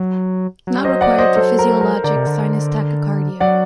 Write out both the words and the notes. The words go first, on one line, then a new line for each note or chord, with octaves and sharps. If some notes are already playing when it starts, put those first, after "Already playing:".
Not required for physiologic sinus tachycardia.
Already playing: F#3
F#3
G3
F#3 C5 D#5
D5 F#5
C5 D#5
A4 C5
A#4
A#4
D3 A#4 D5
C3
D3
F#3 D5 F#5